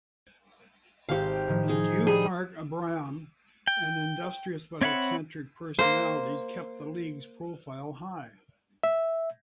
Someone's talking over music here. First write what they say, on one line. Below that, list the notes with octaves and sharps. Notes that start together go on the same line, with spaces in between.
Du Parc Braham, an industrious but eccentric personality, kept the league's profile high.
G#1 F#4 G4 C5 F5
A2 D#3 F3
D#4 G#4
G3 G#4
G5
C4 C#5 E5 F#5 B5
A#3 C5
E5